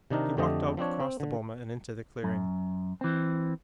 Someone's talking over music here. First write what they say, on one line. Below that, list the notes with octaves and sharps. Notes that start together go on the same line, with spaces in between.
He walked out across the boma and into the clearing.
C3 D#3 D4 D#4 A#4
F2 D3 A3 G4 D#5
F3 C4 D4 C#5
C4
D3
F#2
E3 C4